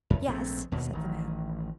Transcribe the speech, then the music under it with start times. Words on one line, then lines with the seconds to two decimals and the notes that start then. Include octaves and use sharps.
"Yes," said the man.
0.10 F#2
0.27 A#1 G#2 A3 C4
0.72 D#2 B2
0.93 A1 D#3